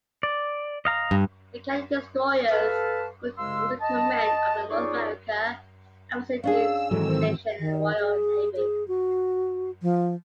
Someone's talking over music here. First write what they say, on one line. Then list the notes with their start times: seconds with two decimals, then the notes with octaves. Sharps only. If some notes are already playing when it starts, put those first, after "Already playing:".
The Canadian destroyers were under the command of the "North America and West Indies Station" of the Royal Navy.
0.23 D5
0.85 D#5 F5 A#5
1.11 G2
2.50 A4 B4 F5 A5
3.38 C2 C#3 G#3 F5 C6 E6
3.81 D#5 A5
4.70 C#4 D#4 F4 G#4 C#5 D5
6.44 C#4 D4 G#4 F5 E6
6.91 G#2 D#3 E3 F#3 C4 A4 E6
7.59 D#3
7.99 G#4
8.56 G#4
8.88 F#4
9.82 F3